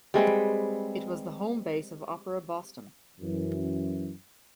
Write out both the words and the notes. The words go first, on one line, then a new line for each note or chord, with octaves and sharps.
It was the home base of Opera Boston.
G3 G#3 C4 B4
F#2 E3